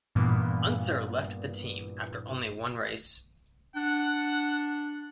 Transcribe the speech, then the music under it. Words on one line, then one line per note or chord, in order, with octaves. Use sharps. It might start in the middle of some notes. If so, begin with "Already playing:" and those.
Unser left the team after only one race.
G2 A#2 E3 A#3 B3
D4 F#5